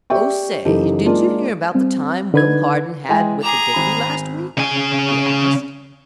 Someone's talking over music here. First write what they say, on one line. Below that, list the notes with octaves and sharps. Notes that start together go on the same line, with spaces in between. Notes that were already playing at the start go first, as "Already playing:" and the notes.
"Oh, say, did you hear about the time Will Hardon had with the Dicky, last week?" he asked.
G4 D5 E5 G5 C#6
F#1 E3 D#4 G4 A4
G#3 A#3 D4 D#4 F4
G3 C4
D3 D#4 B4 G#6
E3 G#3 G5 G#5
G#4 A#5 D6
G#1 B5
C#3 G#5